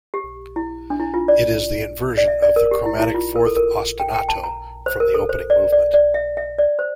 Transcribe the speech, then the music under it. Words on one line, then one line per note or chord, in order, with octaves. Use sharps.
It is the inversion of the chromatic fourth ostinato from the opening movement.
G4
E4
D4
E4
F4
D5
D5
E5
D5
A#4
G4
E4
E4
F4
A#4
A4
A#4
G5
G5
A5
A#5
C5
A#4
A4
C5
D5
D5
D5
E5
E5
D5
C5